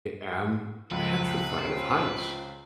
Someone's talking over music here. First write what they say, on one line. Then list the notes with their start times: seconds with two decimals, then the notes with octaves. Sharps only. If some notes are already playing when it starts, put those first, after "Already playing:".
I am petrified of heights.
0.91 C#2 F3 A#3 A4 B4
1.58 C#4 F4 C5 D5